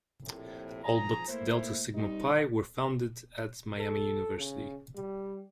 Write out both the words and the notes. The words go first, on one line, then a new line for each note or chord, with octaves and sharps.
All but Delta Sigma Pi were founded at Miami University.
A#1 A2 C3
G#1 F3 G#4 A#5
A3 A#3 E4 C5
G3 C4 D#4
A4
C#3
G3